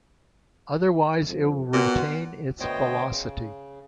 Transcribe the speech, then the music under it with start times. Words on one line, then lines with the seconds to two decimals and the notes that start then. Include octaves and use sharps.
Otherwise it will retain its velocity.
1.27 F2
1.73 A#2 B3 F#4
2.60 D2 B3 C5 C#5 D#5 G5
3.10 C#3